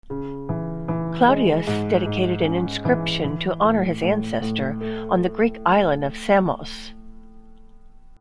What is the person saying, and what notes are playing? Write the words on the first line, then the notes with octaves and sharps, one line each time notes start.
Claudius dedicated an inscription to honor his ancestor on the Greek island of Samos.
C#3
E3
E3
G#3
G#2
G#2
C#4
E3
E3
A2
A2
A2
A3